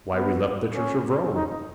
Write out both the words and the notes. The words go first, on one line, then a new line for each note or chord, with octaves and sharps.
Why we left the church of Rome.
B3
C#4
D#4